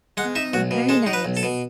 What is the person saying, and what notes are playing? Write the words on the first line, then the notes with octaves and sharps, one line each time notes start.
Oh, very nice.
G#3 F#5
D#4 E5
B1 F#4
B2
G#3 A4
D#4
B4
B1
A4
B2